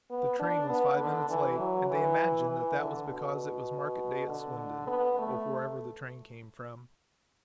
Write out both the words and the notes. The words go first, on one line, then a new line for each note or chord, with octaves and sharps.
The train was five minutes late and they imagined that that was because it was market-day at Swindon or wherever the train came from.
B3
D4
B3
D3
E3
F#3
E3
E3
D3
B2
D3
B3
A3